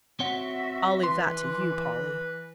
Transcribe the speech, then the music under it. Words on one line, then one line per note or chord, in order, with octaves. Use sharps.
"I'll leave that to you, Polly."
C4 F#4 C#5 E5 F#5
E3 B4 C6